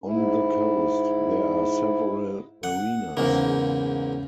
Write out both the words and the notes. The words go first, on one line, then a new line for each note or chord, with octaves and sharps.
On the coast there are several marinas.
G#2 E4
F#5
E2 G#2 C#3 A#3